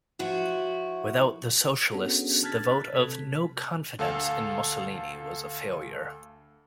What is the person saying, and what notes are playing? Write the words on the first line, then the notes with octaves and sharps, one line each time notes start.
Without the socialists the vote of no 'confidence' in Mussolini was a failure.
F3 E4 F#4
B3 C#4 D4 F#4 G#4 A4
A5 F6 F#6 G#6 A6 B6
C3 A4 B6
D2 A4 F5 E6